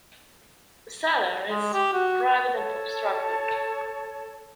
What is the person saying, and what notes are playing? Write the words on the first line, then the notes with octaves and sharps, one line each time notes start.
The cellar is private and obstructed.
G#3
G4
F#4
A4 C#5 A5